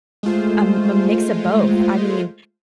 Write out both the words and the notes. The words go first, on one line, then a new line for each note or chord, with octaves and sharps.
Um, m mix of both. I mean,
G#3 A3 F4 C5